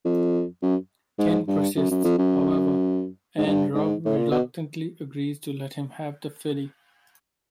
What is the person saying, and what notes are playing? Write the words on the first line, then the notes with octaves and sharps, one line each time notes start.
Ken persists, however, and Rob reluctantly agrees to let him have the filly.
F2
F#2
G#2
G2
F#2
F#2
F2
F#2
G#2
G2
G#2
A2
A#2
B2